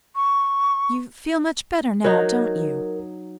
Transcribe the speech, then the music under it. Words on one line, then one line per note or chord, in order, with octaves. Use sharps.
'You feel much better now, don't you?'
C#6
F#3 D#4 A#4